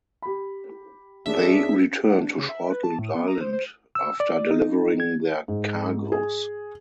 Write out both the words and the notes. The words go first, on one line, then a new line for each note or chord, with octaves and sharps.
They returned to Shortland Island after delivering their cargoes.
G4 B5
D#2 D4 G#4 E5
F#5
D4
C#3
E5
B4
A5
A2
B3
A#5
C5
C5
E6
D5
D#4
G#6
G#2
G#4